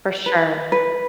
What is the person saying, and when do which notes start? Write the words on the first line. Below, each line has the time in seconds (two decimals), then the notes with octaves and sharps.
for sure.
0.26 B4
0.72 B4